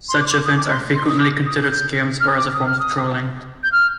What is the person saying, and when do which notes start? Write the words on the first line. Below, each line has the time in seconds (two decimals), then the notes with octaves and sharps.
Such events are frequently considered scams or other forms of trolling.
0.09 C6
0.20 D6
0.27 C6
0.32 D6
0.45 D#6
0.57 D6
0.70 C6
0.95 C6
1.08 D#6
1.20 D6
1.46 D#6
1.71 G6
2.20 F6
2.38 D6
2.54 D#6
2.66 F6
2.79 D#6
3.63 G6
3.72 F6